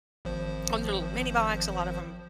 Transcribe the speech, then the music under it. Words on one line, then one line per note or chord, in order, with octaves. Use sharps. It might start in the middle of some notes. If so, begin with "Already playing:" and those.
on their little minibikes. A lot of 'em,
G#1 F3 C5